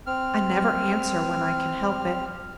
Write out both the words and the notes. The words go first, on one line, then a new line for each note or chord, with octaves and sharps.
I never answer when I can help it.
C4 F6